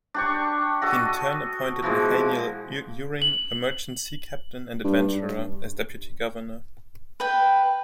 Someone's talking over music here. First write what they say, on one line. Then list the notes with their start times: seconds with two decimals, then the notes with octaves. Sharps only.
He in turn appointed Nathaniel Uring, a merchant sea captain and adventurer, as deputy-governor.
0.14 D4 G4 C#6
0.82 F#4 A4 D#5
1.82 B2 E3 F3 G#3
3.22 F#7
4.84 G2
7.20 B4 G5